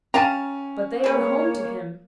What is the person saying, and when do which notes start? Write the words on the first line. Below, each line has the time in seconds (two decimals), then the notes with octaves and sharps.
But they are home to him!
0.14 C#4 G4 F5 A5 A#5 D#7
1.04 A#3 G#4 B4 C#5